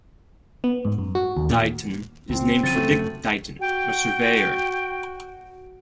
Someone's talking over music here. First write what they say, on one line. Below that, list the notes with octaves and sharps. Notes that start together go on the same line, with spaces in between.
Dighton is named for Dick Dighton, a surveyor.
B3
G#2
F#2
F#4
D#2
A#2
C#2 C4
C#3 F3 F#3 A6 D#7
A3
F1 F#2
F#4 G5